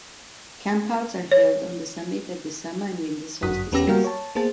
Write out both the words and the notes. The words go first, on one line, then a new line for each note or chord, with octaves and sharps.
Campouts are held on the summit at the summer and winter solstices.
C#5
G1 F#2 F#4 D#6 F#6 B6
E2 B3 C#4 G4 E6 A#6
G3 A#3 F#4 A#4 F5 G5
C#5 A5
A#3 B3 G#4 C5 A5 A6